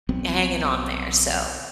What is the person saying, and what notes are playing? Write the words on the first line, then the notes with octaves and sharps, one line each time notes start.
hanging on there. So
B1 F#3 B3 C4